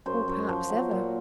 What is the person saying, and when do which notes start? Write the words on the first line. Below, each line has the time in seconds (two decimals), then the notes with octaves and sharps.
"Or perhaps ever."
0.06 F#2 C5
0.28 F#2
0.49 F3
0.70 F#3
0.91 A#2